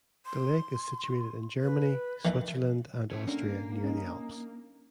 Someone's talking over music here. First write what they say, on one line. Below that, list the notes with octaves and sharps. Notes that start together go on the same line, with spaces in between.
The lake is situated in Germany, Switzerland and Austria near the Alps.
C6
B4
D#3 E3
F3 A3 C#4
A#3 C#4 D4
C#4 D#4